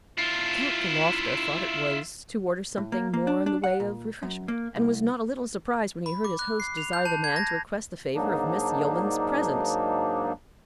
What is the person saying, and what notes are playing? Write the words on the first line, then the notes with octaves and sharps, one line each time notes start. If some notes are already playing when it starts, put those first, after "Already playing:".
Count Galofta thought it was to order something more in the way of "refreshment," and was not a little surprised when he heard his host desire the man to request the favor of Miss Yolland's presence.
E4 F4
A2
A#3
A#3
D4
D4
F#5
A#2
F#2
A#3
C2
B5
D6
F#6
C7
F7
G6
A5
G#6
A#6
G#2 F#3 A#3 D4 D#4